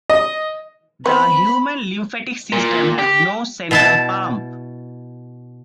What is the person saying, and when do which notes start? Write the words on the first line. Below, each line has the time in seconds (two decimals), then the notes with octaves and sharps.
The human lymphatic system has no central pump.
0.10 D#5
1.06 B3 C4 B5
2.53 A#2
2.99 G4
3.71 B2 E4 A5